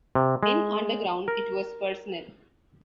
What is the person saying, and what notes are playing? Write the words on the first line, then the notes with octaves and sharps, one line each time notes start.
In "Underground", it was personal.
C3
G#3
A#4